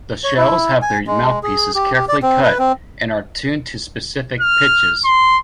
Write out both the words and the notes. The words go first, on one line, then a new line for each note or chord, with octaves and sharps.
The shells have their mouthpieces carefully cut and are tuned to specific pitches.
C#5
E4
G#5
G#3
G#4
G4
G4
D5
C4
B4
C4
F6
C6